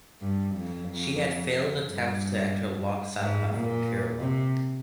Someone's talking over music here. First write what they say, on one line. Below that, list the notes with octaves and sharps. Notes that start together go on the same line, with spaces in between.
She had failed attempts to enter Lok Sabha from Kerala.
G2
F2
F2
G2
G#2
A#2
C3